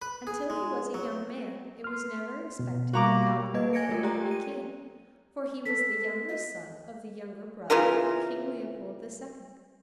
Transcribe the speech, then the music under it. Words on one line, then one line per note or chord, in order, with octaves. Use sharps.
Until he was a young man it was never expected that Albert would ever be King, for he was the younger son of the younger brother of King Leopold the Second.
B4
G#4
G#3
F#3
C6 F6
B2
G3 A#3 F#4 A#5 D6
G3 A#3 B4 D#5 G#6
G#5 G#6 A#6 C#7 D7
G#3 A3 F4 A#4
F4 G4 A4 D5 G5 A#5
D#7
A4 B6
D#5
C#3 E3 F4 A#4